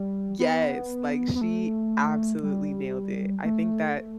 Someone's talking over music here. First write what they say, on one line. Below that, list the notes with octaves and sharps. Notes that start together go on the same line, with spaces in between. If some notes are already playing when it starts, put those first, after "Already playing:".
Yes, like she absolutely nailed it, I think that
Already playing: G3
B3
B3
A3
G3
A3